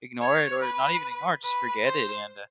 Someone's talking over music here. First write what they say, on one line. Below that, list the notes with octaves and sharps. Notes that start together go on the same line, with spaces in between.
ignore it or not even ignore it, just forget it and, uh,
C#5
B4
B4
C5